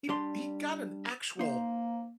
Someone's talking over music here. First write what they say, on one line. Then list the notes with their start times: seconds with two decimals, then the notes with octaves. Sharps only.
he he got an actual
0.09 G3 D4 C6
1.39 A#3 D#4 C5